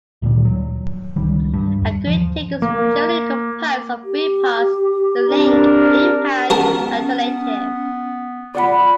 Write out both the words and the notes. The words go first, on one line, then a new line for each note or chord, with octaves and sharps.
A kritik is generally composed of three parts, the link, impact, and alternative.
D2 A#2 D#3 G3
F#3
C#2 D#3 G3
G2
D#2
F3
A#3
G4
C4 D4 A#4
B3 C#4 F#4 A#4 A5
F4 D5 F#5 B5